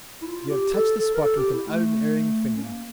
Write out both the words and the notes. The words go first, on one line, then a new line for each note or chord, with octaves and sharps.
'You have touched the spot with an unerring finger.
E4
F4
F4
G4
A4
A4
A#4
A4
G4
E4
A3
C#4
A#3